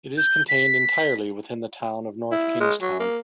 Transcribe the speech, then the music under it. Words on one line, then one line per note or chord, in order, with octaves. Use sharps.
It is contained entirely within the town of North Kingstown.
G6
B6
E4
G#3
F#3
A#3